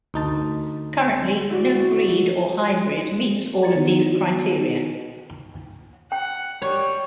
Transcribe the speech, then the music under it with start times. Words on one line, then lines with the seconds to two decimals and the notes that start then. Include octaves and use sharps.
Currently, no breed or hybrid meets all of these criteria.
0.14 D2 D#4 A5
1.50 E4 F#4 D5
3.61 D5 A#5 G#6 A6 C#7
3.75 D#3 B3 D#4 E4 F#4
6.12 F#5 G5
6.62 G3 C#5